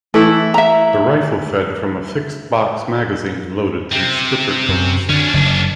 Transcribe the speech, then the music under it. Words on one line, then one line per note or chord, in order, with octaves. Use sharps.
The rifle fed from a fixed box magazine, loaded through stripper clips.
E3 A3 E4 A4
E5 A#5
C3 C4
F#2
D3 C#4 D4
F#1